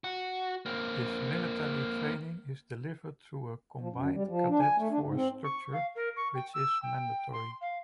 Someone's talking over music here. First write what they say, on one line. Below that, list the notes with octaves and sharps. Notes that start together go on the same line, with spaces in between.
This military training is delivered through a Combined Cadet Force structure which is mandatory.
F#4
A#3 C4
F3
F#2
G3
F3
D4
G#5
A3
D4
G#2
C4
C#6
F5
A#4
C#6
G5
E6
G5
C6
F5